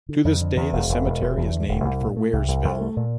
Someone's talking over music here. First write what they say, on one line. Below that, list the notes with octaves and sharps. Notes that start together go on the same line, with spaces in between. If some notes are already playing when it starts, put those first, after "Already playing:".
To this day the cemetery is named for Waresville.
D3
F2
D3
E2
E1
E1
E1
E1
E2
D3
E1
C2
A#2
A3
C2
C2
C2
A3
A#2